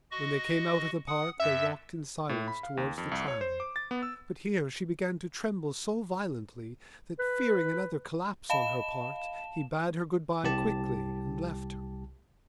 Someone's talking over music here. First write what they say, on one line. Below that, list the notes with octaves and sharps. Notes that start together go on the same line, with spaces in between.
When they came out of the Park they walked in silence towards the tram; but here she began to tremble so violently that, fearing another collapse on her part, he bade her good-bye quickly and left her.
F#4 D#5 C#6
F#5 D#6
F#2 E5
A2
B5
F5
D#2
F2
C2
C#5
C5
D6
A6
B3
E6
B4
D#5 F5 A5 B5 E7
C2 G4 A5